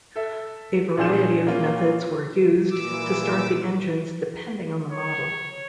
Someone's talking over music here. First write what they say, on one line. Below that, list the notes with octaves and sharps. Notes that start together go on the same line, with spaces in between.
A variety of methods were used to start the engines depending on the model.
A4 E5
A#2 D4 G#4 G6 E7
E3 A#3 C#4 F4
A#2 E3 D6 E6
C#5